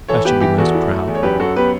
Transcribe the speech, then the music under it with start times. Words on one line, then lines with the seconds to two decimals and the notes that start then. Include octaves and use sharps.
I should be most proud.
0.08 E3 A4 C#5
0.25 B3 G4 B4
0.41 E3 G4
0.58 E2 F#4 A4
0.74 E4
0.91 A3
1.08 E2
1.15 C#5
1.23 F#2 G4 B4
1.40 F#2 F#4 A4
1.56 B3 G4 B4